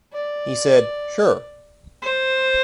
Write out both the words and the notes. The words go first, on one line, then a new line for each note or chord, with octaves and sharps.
He said, 'Sure.
D5
C5